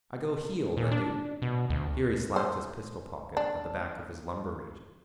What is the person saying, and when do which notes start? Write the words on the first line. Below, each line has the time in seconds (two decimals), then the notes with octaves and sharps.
I go heeled, I du!' Here he slapped his pistol pocket at the back of his lumbar region.
0.77 A#2
0.91 D4
1.42 B2
1.70 D2
2.36 C5
3.37 D4